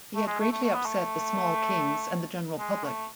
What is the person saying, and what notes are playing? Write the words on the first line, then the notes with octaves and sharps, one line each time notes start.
He had greatly upset the small kings and the general public.
A3
G#3
A3
A3
A3
B3
A3
G#3
A3